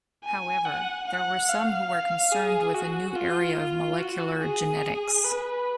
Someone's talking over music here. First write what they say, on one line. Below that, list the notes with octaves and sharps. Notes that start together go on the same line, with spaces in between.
However, there were some who were concerned with the new area of Molecular Genetics.
G#5
F#5
F#5
F5
G#4
F#4
F4
F4
F#4
G#4
B4